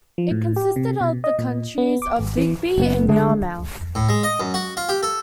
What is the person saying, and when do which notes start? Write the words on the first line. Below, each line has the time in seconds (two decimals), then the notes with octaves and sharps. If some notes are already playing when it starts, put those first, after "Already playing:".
It consisted of the counties of Digby and Yarmouth.
0.18 F3
0.31 A2
0.56 G4
0.76 C3
1.01 B2
1.24 D#5
1.39 A#2
1.78 B3
2.02 D6
2.19 G#1
2.37 E3
2.78 F#1 A#2 B3
3.08 D3 G#3 A3
3.95 A2
4.09 G#3
4.23 D#5
4.40 F#2
4.54 F#4
4.77 F4
4.89 G4
5.03 A4